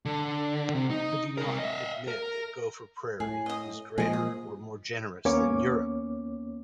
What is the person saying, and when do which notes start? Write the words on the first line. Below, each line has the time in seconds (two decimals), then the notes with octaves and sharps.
I do not admit that Gopher Prairie is greater or more generous than Europe!
0.05 D3
0.75 C3
0.90 D#4
1.38 C3 A#4
1.59 D#5 E5
2.08 A#4
3.20 A2 G#4
3.46 D#5 D#6
3.98 A#2 F3 G#3 G#4 D#5
4.13 D#6
5.25 D#2 A#3 B3 C#4 C#5 D6